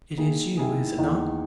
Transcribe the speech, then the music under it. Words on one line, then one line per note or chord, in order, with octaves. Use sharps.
"It is you--is it not?"
D#3 A#3 E4 G#4
D#3 A#3 E4 G#4
E2 D#3 A#3 D#4